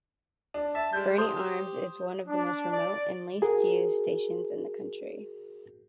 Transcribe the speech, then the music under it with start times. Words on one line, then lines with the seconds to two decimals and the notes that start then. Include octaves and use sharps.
Berney Arms is one of the most remote and least-used stations in the country.
0.54 D4
0.75 E5 A5
0.93 G3 G#3 G6
1.18 G4 C5 D#6
2.28 D4
2.71 D5
3.42 F#4 G#4 A#4